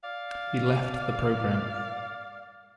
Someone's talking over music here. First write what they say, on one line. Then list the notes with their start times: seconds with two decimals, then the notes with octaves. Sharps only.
He left the program.
0.03 D5 F5